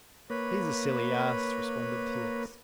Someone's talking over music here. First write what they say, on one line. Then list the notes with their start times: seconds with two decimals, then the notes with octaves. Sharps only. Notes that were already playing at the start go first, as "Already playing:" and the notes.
"He's a silly ass," responded T. X.
0.30 A#3 B4 C#5 B5